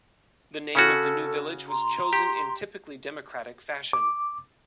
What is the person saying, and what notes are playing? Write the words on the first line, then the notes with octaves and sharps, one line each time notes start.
The name of the new village was chosen in typically democratic fashion.
C#3 C#4 F#4 A4
A#5 C6
G4
D6